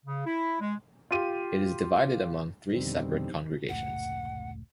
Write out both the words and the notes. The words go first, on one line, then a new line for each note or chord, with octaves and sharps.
It is divided among three separate congregations.
C#3
E4
G#3
F4 G4 D#7
F2 B2 D3 D#3 G3 C4
F1 C#2 A2 F#5